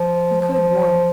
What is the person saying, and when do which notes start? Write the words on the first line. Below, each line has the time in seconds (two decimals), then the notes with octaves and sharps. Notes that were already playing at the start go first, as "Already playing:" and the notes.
He could warn.
Already playing: F3
0.42 F3